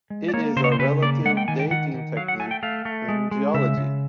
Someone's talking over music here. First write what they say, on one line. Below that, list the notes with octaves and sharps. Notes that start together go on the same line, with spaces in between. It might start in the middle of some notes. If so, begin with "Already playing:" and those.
It is a relative dating technique in geology.
G#3
D5
A#3 C#5
C#3 C5
C#5
C5
C#3 B4
A#3 D5
G#3 F#5
G5
D#3 G#5
G5
D#3 F#5
D#3
F#3 F5
F#5
A3 G#5
G5
A3 F5
A3
G#3
G#3
C#3 E5
C#3